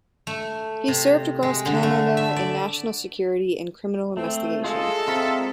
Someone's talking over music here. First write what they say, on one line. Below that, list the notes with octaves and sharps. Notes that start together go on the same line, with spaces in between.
He served across Canada in national security and criminal investigation.
A3
C3
G#3
D3
A3
E5
D5
A3 C4
G#3 F4 G#4 A4
C4 F4 A#4 E5